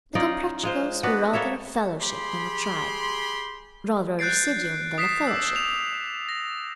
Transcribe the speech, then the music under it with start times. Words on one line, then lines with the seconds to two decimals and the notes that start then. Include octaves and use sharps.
The Comprachicos were rather a fellowship than a tribe; rather a residuum than a fellowship.
0.15 C#4 D#4 F4 D5
0.63 G#3 F4 C5
1.03 B3 D4 F#4 B4
1.33 A#3 A4 C#5 E5
2.01 G4 G#4 B5 C6
4.19 F#6 G6 A6 C7 D7
4.98 D#6 B6 C7 E7
5.27 D6 E6
5.56 F7
6.29 A#6